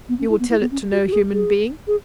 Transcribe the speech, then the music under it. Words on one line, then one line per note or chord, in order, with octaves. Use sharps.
"You will tell it to no human being?"
B3
C#4
E4
B3
E4
B3
C#4
F#4
F#4
G#4
G#4
G#4